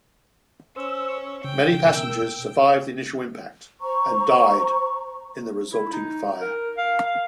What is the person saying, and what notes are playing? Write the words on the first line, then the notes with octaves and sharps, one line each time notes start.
Many passengers survived the initial impact and died in the resulting fire.
C#4 C5 E6
C#3 G5
B2 A#4 E6
C5 A#5 C#6
E4
D#4
A#4
F5
F5